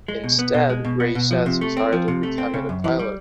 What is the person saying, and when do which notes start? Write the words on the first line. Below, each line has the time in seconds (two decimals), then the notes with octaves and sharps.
Instead, Ray sets his heart on becoming a pilot.
0.08 G#3
0.24 B2
0.39 B3
0.54 B2
0.70 G#3
0.85 B2
1.00 B3
1.15 B2
1.31 F3
1.46 C3
1.61 A3
1.77 C4
1.93 F3
2.08 C3
2.23 A3
2.38 C4
2.54 C#3
2.69 F#2
2.84 E3
2.99 G3